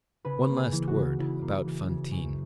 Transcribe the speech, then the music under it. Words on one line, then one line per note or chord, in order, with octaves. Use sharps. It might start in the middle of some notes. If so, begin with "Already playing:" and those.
One last word about Fantine.
C#3 B4
A#3
G#4
E3
F#4
C#3
C#3 E4
A#3
E3
C#3
F#2 G#4